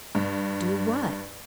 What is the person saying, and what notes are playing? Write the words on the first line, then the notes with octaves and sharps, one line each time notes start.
"Do what?"
G2